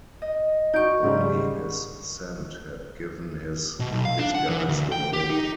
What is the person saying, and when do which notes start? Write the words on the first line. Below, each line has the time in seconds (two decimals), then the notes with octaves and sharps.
Only his scent had given his disguise away.
0.22 D#5
0.74 D#4 F#4 D5 C#6 G6 D7
1.03 G#2 C#3 G3
3.80 B2
3.92 B1
4.05 F5
4.19 D4
4.35 F#5
4.49 E3
4.69 D2
4.92 G5
5.13 G4
5.30 D#4